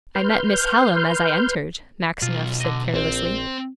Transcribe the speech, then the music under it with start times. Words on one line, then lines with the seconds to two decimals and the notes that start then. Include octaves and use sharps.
'I met Miss Hallam as I entered,' Maxineff said carelessly.
0.15 B4 C6 F6 G6
2.22 B1 F4
2.61 D3 D#5
2.94 A#1 C4